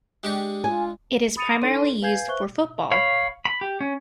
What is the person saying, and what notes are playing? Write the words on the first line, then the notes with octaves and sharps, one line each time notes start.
It is primarily used for football.
G#3 D4 G4 C#6
F4 G#5
B5 D#6 A6 C#7 D#7 F7
D4 D#4 A4 C#5 C6 D#7
B4 F5 G#5 G6 G#6 C7
B4 C5 E5 C#6 F#6 G7
C#5 F5 B5
B5
G4
C#4